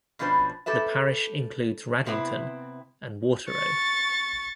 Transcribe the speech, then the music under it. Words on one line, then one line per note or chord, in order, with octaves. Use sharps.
The parish includes Raddington and Waterrow.
B2 F3 C#4 D4 B4 C5
G4 A4 B4 E5
C3 B3 C4 E4
C#6 A6